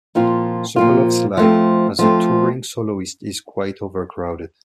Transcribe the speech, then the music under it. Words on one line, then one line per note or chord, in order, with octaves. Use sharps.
Sokolov's life as a touring soloist is quite overcrowded.
A#2 F3 C4 F4
A#2 F3 C4 F4
F3 A3 C4
F3 A3 C4